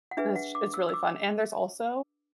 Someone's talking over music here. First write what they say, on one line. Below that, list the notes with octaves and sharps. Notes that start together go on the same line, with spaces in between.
it's it’s really fun, and there's also
F#5
D4 G#4 B4 E5
F#5
D6
E6
E6
D6